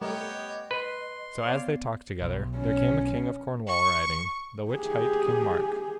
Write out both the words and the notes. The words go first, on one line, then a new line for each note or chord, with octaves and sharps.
So as they talked together, there came a king of Cornwall riding, the which hight King Mark.
G3 A3 B3 G4 A#4 C#5 D#5
B4 C6
B3 C#5 D5 F5
B1
C#4
C#6
G4 G#4